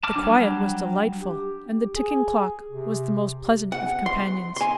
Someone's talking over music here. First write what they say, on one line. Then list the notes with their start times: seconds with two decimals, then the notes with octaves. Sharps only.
The quiet was delightful, and the ticking clock was the most pleasant of companions.
0.03 A5 D6 F6
0.16 F#3 G3 D4
1.22 G4
1.96 G#4
2.71 C3
3.72 F#5
4.06 C6
4.56 G#5 C6